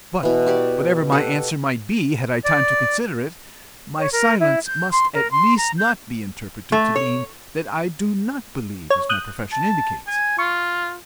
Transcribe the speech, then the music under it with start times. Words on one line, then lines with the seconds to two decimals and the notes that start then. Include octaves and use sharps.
But whatever my answer might be had I time to consider it, my silence must at least not be interpreted to mean that I do NOT believe as my profession indicates.
0.23 B2 E3
0.46 F#4 G4 D5
1.12 G4 A4 F#5
2.45 D5
3.98 C#5
4.12 A#4
4.40 E4
4.66 G6
4.91 C6
5.14 A#4
5.31 C6
5.57 A#5
5.77 G6
6.72 A3
6.96 C#5
8.90 C#5
9.09 D#6 F#6 G6
9.52 A5
10.07 G#5
10.38 F4 C#6